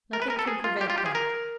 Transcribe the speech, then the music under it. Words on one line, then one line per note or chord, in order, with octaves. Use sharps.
Nothing can prevent that.
A#4
B4
A#4
A4
G#4
F4
G4
F4
G4
G#4
A#4